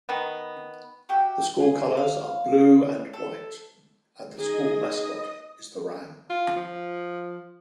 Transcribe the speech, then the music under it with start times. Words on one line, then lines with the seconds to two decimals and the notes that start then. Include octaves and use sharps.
The school colors are blue and white and the school mascot is the ram.
0.09 D#3 B3
1.09 F#4 G4 E5 G5
1.60 G#4
1.97 F5
3.13 A4
4.37 D#4 G#4 D#5 D#6
6.30 F4
6.56 F3